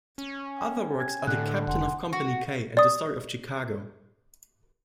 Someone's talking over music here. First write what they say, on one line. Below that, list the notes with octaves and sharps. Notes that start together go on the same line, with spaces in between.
Other works are "The Captain of Company K" and "The Story of Chicago".
C#4
G5 G#5
G#6
A2 D3 F#6
F1 F#5 G#5 C6
F#4
D5 D#6